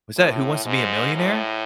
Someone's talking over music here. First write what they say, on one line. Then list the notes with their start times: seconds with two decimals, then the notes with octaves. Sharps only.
was that, Who Wants to Be a Millionaire?"
0.17 A2
0.66 G#2
1.15 A2